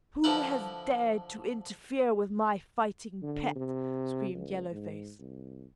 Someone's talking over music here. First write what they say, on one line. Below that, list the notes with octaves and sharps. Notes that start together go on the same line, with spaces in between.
"Who has dared to interfere with my fighting pet?" screamed Yellow Face.
D3 F3 E4 B4
D3
C3
C#2
G#2
C2